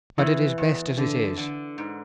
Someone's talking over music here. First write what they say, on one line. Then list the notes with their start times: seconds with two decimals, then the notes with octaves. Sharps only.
But it is best as it is.
0.18 E2 E3
0.58 E2
0.98 D3
1.38 D3
1.78 G#2